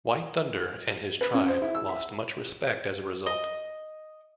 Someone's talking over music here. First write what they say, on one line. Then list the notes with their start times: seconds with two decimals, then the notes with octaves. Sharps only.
White Thunder and his tribe lost much respect as a result.
1.21 B4
1.34 C#4
1.48 C5
1.62 E4
1.75 E6
1.89 E5
3.26 D#5